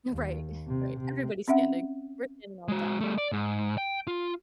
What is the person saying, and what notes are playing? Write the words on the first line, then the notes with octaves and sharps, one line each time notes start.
Right, right, everybody's standing, we're standing all the time.
D#2
C3
C3
C4 C#4 E5 F#5
G#3 F#4
G3 A3
D5
G#2
G5
F4